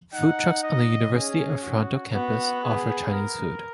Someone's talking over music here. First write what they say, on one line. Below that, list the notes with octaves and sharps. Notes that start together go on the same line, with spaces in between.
Food trucks on the University of Toronto campus offer Chinese food.
D#4 F#5
D#5
C#4 G#4
F#4
B3 F#4
G#4
A#4